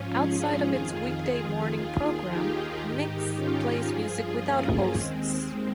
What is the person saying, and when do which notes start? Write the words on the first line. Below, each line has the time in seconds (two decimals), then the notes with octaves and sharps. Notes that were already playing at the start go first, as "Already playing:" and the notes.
Outside of its weekday morning programme, Mix plays music without hosts.
Already playing: G#2 F3 C#4 F4
0.16 F4 G#4
0.69 F2 D#3 F4 G#4
1.75 D#2 D#3 F4 G#4
2.29 D#4 G4
2.82 G#2 D#3
3.35 C#4 F4
3.88 G2 F3 F4 G#4
4.42 A#3 C#4
4.95 D#2 D#3 G#3 C4